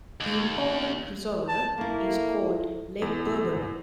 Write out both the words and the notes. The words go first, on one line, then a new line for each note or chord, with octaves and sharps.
The impounded reservoir is called Lake Burbury.
D#2
A5
A3 A#3 E4
E2 B3